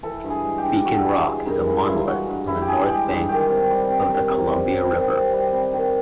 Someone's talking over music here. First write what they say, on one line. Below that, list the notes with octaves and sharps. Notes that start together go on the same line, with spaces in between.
Beacon Rock is a monolith on the north bank of the Columbia River.
E3 A4
G2
G#4
G#3
G4
G2
E3 F#4
A4
G2 G#4
G#3
G2 A#4
E3
E4
G2 F4
G#3 F#4
G2
E3 E4
G4
G2 G#4
G#3 G4
G2 G#4
D#3 G4
C3
G3
C3
D#3
C3
G3
C3
D#3
C3
G3
C3
D#3